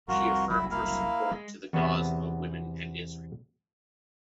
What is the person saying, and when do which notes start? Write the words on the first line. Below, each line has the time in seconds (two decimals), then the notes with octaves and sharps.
She affirms her support to the cause of women and Israel.
0.08 C2 F2 F4 F#4 A#4
0.50 F#1 C2 F#3 E4
0.71 A#3 E4 F5
1.32 G#3
1.73 E2 C3 B3 E5